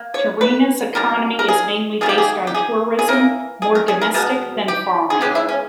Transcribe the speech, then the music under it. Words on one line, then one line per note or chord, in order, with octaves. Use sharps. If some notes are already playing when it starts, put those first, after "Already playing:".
Tirrenia's economy is mainly based on tourism, more domestic than foreign.
Already playing: A#3
C#5
B4
B2 G3 A#3 A#4
A#4
G#4
D#3 G3 A#3 G4 G#4
G#4
G4
G#4
G#4
E3 A#3 A#4
G#4
A#4
G#4
A#4
B2 G#3 B3 A#4
G4
G#4
C#3 G#3 B3 G4
E4
C#4